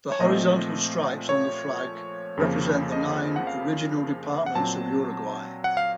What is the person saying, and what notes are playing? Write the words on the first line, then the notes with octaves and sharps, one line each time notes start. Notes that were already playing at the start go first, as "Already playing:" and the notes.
The horizontal stripes on the flag represent the nine original departments of Uruguay.
C#5
A#2 F3 A3 C4 D#5
C#5
F2 C#3 F3 A#3
D#5
F#5
F5
F#5
A#2 F#3 C4 A5
F#5
F5